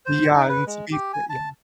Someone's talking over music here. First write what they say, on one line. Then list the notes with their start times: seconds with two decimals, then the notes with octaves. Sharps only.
Yeah, and to be fit yeah.
0.06 C5
0.34 D#4
0.49 B4
0.67 G#3
0.92 G4
1.13 G#5
1.30 A5